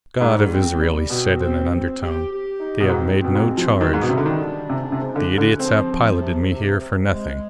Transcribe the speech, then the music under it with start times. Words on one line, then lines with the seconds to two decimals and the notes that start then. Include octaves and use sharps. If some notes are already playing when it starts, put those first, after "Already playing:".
"God of Israel!" he said in an undertone, "they have made no charge; the idiots have piloted me here for nothing."
0.21 G#2 G3
0.50 C4
0.81 G3
1.10 B2 C4
1.40 C4
1.70 C4
2.01 G4
2.30 G4
2.60 D#4
2.80 B2
2.90 G#2 C4
3.20 B2 C4
3.35 G#2
3.50 G#3
3.57 F3
3.80 D#3 G3
3.93 G#2
4.02 B2
4.09 C3 G3
4.18 D3
4.26 D#3
4.41 D4
4.70 G#2 C3
4.92 C3
5.00 G#2
5.16 D3
5.30 G#2
5.38 D3
5.60 F3 C4
5.90 F3
6.21 C3
6.50 C3
6.80 C3
7.10 G#3